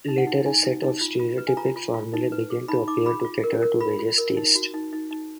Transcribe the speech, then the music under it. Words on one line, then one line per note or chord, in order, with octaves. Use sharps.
Later a set of stereotypic formulae began to appear to cater to various tastes.
D#4
F#5
D#4
D#4 G#5
D#4
D#4
F4
F4
B4
G#5
F4 A#5
F4
F4
D#4
B4
G#4
D#4 B5
D#4 D6
G#4 B5
F4
A#4
A#4
F4 B5
F4
A#4
D#4
F#4
D#4
D#4
D#4